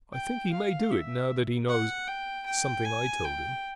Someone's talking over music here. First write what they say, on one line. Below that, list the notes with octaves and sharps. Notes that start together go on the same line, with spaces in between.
I think he may do it, now that he knows--something I told him.
G5
F5
E5
F#5
G5
G5
G#5
G5